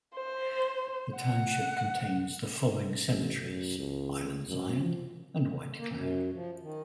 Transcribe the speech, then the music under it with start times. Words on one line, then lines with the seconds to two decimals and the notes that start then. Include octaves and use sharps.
The township contains the following cemeteries: Island Zion and White Cloud.
0.15 C5
1.16 F#5
3.09 A1
3.42 F#2
3.79 C#2
4.49 F#2
4.80 F3
5.77 A#3
5.92 F#2
6.34 F3
6.61 D#3